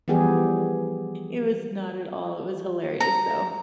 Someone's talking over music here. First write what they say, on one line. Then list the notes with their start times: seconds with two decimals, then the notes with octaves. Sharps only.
It was not at all. It was hilarious, though.
0.08 E3 F3 G3 B3 G4 G#4
3.00 A#5